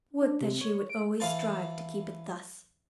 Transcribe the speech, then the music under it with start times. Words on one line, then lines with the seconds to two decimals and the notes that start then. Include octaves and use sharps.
Would that she would always strive to keep it thus.
0.21 D4
0.41 C3
0.61 C#5
0.89 D7
1.20 E3 F5 A5